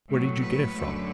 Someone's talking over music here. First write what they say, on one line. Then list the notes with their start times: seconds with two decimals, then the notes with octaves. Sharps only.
Where did you get it from?'
0.08 A2 F#3 A3
0.41 B4
0.74 F#2 D3 F#3 A3